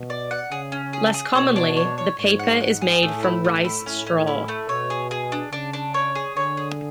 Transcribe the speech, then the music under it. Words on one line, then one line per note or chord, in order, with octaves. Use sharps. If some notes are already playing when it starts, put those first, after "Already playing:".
Less commonly, the paper is made from rice straw.
Already playing: B2
D5
F#5
C#3 G#4
C#4
G#4
G#4
B2 C#5
D4
C#5
C#5
G#2 C#5
F#5
F#5
G#4
A2 A3
E4
A3
E4
A2 C#4
C#4
E4
A3
B2 C#5
G#4
G#4
D4
C#3 D4
D4
C#5
G#4
D3 C#5
G#4